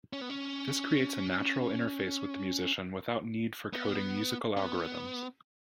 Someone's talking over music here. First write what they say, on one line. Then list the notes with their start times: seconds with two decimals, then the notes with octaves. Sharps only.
This creates a natural interface with the musician without need for coding musical algorithms.
0.13 C#4
0.21 B3
0.30 C#4
3.73 B3
4.57 C#4
4.63 B3